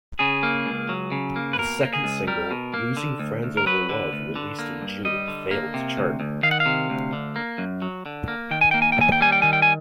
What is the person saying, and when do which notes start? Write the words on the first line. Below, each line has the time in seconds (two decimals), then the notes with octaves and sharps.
The second single, "Losing Friends Over Love", released in June failed to chart.
0.19 C#3 G#4
0.43 A#3
0.66 C#2
0.89 F#3
1.12 C#3
1.36 A#3
1.53 B4
1.58 B2 A#4
1.81 A#3
1.93 G#4
2.04 C#2
2.27 G3 A#4
2.51 B2
2.74 A#3
2.97 D3
3.19 D2
3.43 D2
3.57 A#4
3.66 F#3 B4
3.89 D3
4.13 D2
4.36 D3
4.59 A#3
4.82 G2
5.05 G3 D#5
5.28 D3
5.51 A#3
5.74 C3
5.97 D2
6.20 D2
6.43 D#3 F5
6.51 F#5
6.60 F5
6.66 C3
6.90 D2
7.13 D3
7.36 A#3
7.58 F#2
7.82 F#3
8.06 D3
8.28 A#3
8.51 D#3 G5
8.61 G#5
8.71 A#3 G5
8.82 G#5
8.92 G5
8.97 D#2 G#5
9.12 G5
9.21 G3 G#5
9.32 G5
9.42 D#3 G#5
9.53 G5
9.62 G#5